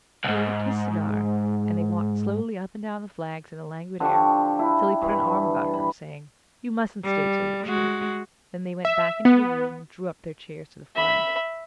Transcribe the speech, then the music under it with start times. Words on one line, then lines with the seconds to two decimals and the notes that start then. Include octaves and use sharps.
He lit his cigar, and they walked slowly up and down the flags in the languid air, till he put an arm about her, saying: "You mustn't stay till you're chilled"; then they went back into the room and drew up their chairs to the fire.
0.24 C2 G#2
4.00 D3 F3 G4 C#6
4.59 E4
5.01 G2 E3
5.74 B5
7.04 G3
7.67 G#3 F#4
8.85 E5
9.25 B3
10.95 E5 B5